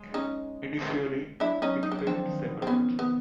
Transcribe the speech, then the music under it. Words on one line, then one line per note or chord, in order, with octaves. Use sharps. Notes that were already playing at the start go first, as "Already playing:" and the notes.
Initially, it failed to separate.
Already playing: G#3
C#4 D#4
F#3 D4 E4
C#4 D#4
D#4
D4
C#4
F3 C4 D4
D#3
B2
C4
B3 C#4
B3